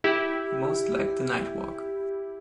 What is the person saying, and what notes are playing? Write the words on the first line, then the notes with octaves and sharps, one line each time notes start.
He most liked the night walk.
E4 G4